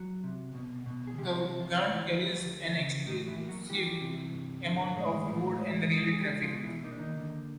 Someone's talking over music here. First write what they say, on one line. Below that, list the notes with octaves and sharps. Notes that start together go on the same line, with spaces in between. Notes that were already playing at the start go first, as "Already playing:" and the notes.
The ghat carries an extensive amount of road and rail traffic.
Already playing: F#3 F#4
C3
B2
B2
G#4
C3 G3 G4
F#3 F#4
C3
F3 F4
D2 E3 E4
F3
D2
C#3
A2 D#3 D#4
E3 E4
A#3
F#3 F#4
E3 G3 G4
C3
G2
D3
A2 G#3 G#4
A2
G#3
G#3
G#4
C#2 G3 G4
F3 F4
B2
E3 E4
A#3 D#4
D4
D#3 D#4
D3